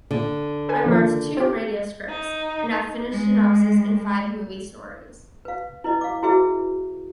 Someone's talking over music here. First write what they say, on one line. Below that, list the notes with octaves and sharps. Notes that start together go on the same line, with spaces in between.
I marked two radio scripts and have finished synopses and five movie stories.
D3
A4 B4 G#5
D#3 F3 A#3
C4 G4
D#4
G#3
B4 F5
E4 B4 D#5
F5 D6
E4 F#4 G#4 B4 E5